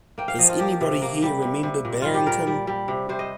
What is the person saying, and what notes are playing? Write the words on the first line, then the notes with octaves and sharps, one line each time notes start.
Does anybody here remember Barrington?
A#3 G5
F5
F3 D#5
F4
A#3 G4
C3
A#3
G3
C3
C3
A#2
G3 F4
G4
A#2 A#4
G3
G3
C3
C3 C5
D#5